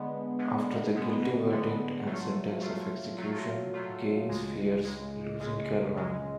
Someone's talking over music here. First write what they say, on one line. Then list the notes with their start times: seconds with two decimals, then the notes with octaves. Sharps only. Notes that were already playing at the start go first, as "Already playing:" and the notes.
After the guilty verdict and sentence of execution, Gaines fears losing Caroline.
Already playing: D3 G#3 B3
0.39 D3 G#3 B3
0.95 D3 G#3 B3
1.50 D3 G#3 B3
2.06 F#3 A3 F4
2.62 F#3 A3 F4
3.18 F#3 A3 F4
3.74 F#3 A3 F4
4.29 C#2 C#3 G#3
4.85 C#2 C#3 G#3
5.40 C#2 C#3 G#3
5.96 C#2 C#3 G#3